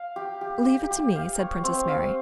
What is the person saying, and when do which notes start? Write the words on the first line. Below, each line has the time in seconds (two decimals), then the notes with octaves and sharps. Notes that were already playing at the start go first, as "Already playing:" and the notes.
"Leave it to me," said Princess Mary.
Already playing: F5
0.16 G4
0.41 G4
0.65 G4
0.91 G4
1.16 F5
1.39 C#5
1.64 C4
1.88 F5